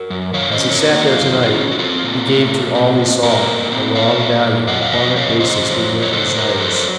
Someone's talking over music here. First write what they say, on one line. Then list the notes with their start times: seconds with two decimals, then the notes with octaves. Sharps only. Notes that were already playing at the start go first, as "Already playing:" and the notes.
As he sat there to-night, he gave to all he saw a wrong value and upon it based his ignorant desires.
Already playing: F#4 A#4
0.10 F#2
0.34 D#3 C#5 F5
0.52 C5 D#5
0.58 C#4
0.70 A#4 C#5
0.82 A#3
0.89 D#4
0.99 F#4
1.06 F#2 F4
1.31 D#3
1.42 F4
1.54 C#4
1.71 F#4
1.79 C4 F4 A4
2.03 A#2
2.27 A3
2.51 A#2
2.75 C4
2.99 A#2
3.23 A3 F#4 A#4
3.47 A#2
3.72 C4
3.95 A#2 C#5 F5
4.20 A3
4.43 A#2
4.67 F#3 D#5 F#5
4.82 F5
4.92 F2 D#5 F#5
5.16 C#3 C#5 F5
5.39 F2 C5 D#5
5.64 F#3
5.89 F2
6.02 C#5
6.12 C#3 A4 C5
6.36 F2 A#4 C#5
6.60 F#3 A4 C5
6.76 A4